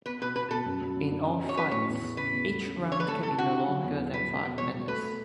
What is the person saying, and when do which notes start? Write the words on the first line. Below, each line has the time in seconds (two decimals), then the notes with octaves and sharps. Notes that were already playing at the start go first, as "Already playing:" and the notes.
In all fights, each round can be no longer than five minutes.
0.06 B3 B4
0.21 B2 B4
0.36 F#4 B4
0.51 B2 A4
0.66 F#2
0.81 F#2
0.97 F#2
1.12 D4
1.27 C#4
1.42 F#4
1.49 C#5
1.57 C#4 B4
1.71 A2 C#5
1.87 E2
2.02 E2
2.17 C#3 B4
2.32 E2
2.47 A3
2.62 C#4
2.78 D3
2.92 D3 C#5
3.00 B4
3.07 A3 A4
3.23 E4 A4
3.38 D3 F#4
3.52 D3
3.68 F#3
3.83 E2
3.98 E2
4.13 F#3 B4
4.28 B2
4.43 B2
4.58 B2 C#5
4.74 B2
4.88 A3 B4
5.03 A3